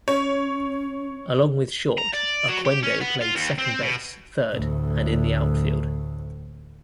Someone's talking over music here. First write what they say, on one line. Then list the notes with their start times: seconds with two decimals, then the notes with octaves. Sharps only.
Along with short, Oquendo played second base, third and in the outfield.
0.08 C#4 C#5
1.98 A#5
2.14 D5
2.48 F#3
2.65 G4
2.83 C#4
3.00 B3
3.21 F4
3.35 D#2
3.58 C4
3.82 B2
4.50 D2 A2